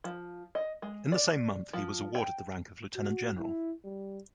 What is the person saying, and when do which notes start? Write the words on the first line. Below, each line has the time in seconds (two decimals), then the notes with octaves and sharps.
In the same month he was awarded the rank of Lieutenant General.
0.04 F3
0.55 D#5
0.82 G#3
1.12 D5
1.73 F3
2.15 G5
2.96 F#4
3.38 E4
3.85 G3